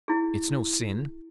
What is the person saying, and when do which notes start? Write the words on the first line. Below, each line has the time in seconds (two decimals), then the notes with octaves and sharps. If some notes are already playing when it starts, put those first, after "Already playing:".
It's no sin.
0.08 E4 G#4